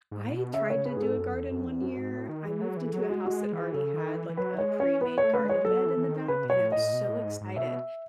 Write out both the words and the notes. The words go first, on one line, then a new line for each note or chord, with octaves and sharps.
I tried to do a garden one year, I moved into a house that already had like a pre-made garden bed in the back and I was so excited,
G#2
A2
B2
C#3 E5
C#5
C#3
B4
G#2 G#4
A4
F#2
E2
F#2
E2
F#2 F#4
G#2
A2
D#3
E3 G#4
F#3
E3
A4
F#3 G#4
G#3 F#4
F#4
G#3
G#4
E3
G#4
C#3 A4
D#3
E3
E3
F#3 B4
G#3 C#5
C#4 C#5
B3 B4
A3 C#5
B4
A3
G#3
C#5
F#3 A4
E3
E3
D#3
C#3 B4
B2
C#5
A2
A2 D#5
B2
A2
G#2
G#2
B2 E5